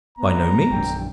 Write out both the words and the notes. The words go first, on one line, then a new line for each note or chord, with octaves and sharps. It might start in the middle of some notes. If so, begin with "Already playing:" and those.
"By no means."
B3 A#5
A#1 F#2 D3 G5